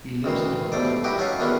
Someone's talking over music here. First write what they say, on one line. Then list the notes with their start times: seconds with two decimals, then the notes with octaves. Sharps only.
He lives in Hong Kong.
0.24 D2 D#3 E3 C6
0.72 G2 B2 A3 C5 D5
1.04 G2 E4 F#4 G4 D#5 D6
1.18 C#4 D#4 A4 C#5 F5 F#5
1.39 B2 D#3 G#3 C#4 D4 E4